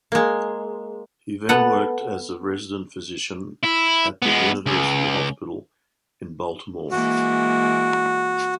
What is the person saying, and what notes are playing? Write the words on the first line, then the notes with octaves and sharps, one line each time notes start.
He then worked as the resident physician at the University Hospital in Baltimore.
G#3 A#3
B3 A4 F#5
E4
G#3 B3
C#2
E3 G#3 A#3 F#4